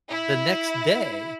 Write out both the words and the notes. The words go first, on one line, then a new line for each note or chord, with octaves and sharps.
the next day,
E4